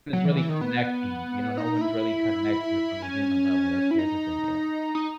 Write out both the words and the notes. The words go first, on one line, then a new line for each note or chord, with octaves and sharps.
Is really connecting, you know? No one is really connected, like, on a human level. That's that's the thing, yeah.
F#3
E3
E3
D#3
B3
D#4
E4
C#4
E4
D#4
D#4